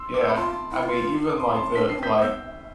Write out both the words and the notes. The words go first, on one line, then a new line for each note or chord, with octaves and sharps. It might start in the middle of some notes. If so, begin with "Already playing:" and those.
Yeah, I mean, even like the, like
Already playing: C6 E6
D6
E6
B5 D6
F4 A5 C6
E4
F4
D6
C6
B5
A5 C6
D4 B6
D4 C7
C4
G6 B6
B3 E6 G6